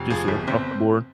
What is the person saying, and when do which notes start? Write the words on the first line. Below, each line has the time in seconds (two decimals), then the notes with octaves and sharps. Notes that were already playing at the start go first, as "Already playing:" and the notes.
Just across the board?
Already playing: F1
0.10 F3 G#4
0.28 G1
0.47 G1 C4